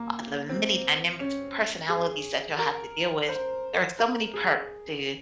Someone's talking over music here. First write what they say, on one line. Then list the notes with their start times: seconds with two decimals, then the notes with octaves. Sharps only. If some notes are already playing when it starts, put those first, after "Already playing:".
a the many dynamics and personalities that you'll have to deal with. There are so many perks to,
Already playing: A#3
0.49 C4
1.19 C#4
1.89 G#4
2.58 A#4
3.29 C5
3.99 A#4
4.34 G#4